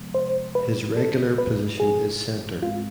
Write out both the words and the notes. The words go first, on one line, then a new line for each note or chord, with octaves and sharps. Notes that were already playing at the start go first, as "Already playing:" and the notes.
His regular position is centre.
Already playing: E2 C3 F3 G#3 B3
C5
B4
A4
B4
G#4
G#2 G#3 C4 F4